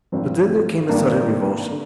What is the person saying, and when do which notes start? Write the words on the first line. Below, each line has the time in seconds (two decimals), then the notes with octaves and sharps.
But then there came a sudden revulsion.
0.12 G#1 G2 F3 C4
0.89 G#1 G2 D#3 A#3 D4
1.70 D3